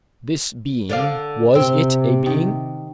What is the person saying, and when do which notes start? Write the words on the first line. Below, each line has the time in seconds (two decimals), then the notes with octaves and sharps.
This being--was it a being?
0.89 D3 D5 F5
1.55 C3 C4
2.26 D#3